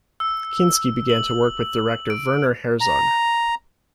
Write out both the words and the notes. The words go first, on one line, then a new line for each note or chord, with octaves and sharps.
Kinski began to work with director Werner Herzog.
E6
F#7
D7
A#5